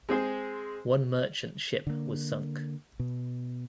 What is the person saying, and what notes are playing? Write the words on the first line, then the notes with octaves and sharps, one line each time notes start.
One merchant ship was sunk.
G#3 C4 G#4 C5
D3 A#3
B2